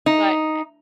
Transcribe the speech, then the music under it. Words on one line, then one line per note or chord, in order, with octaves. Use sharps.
but I
D#4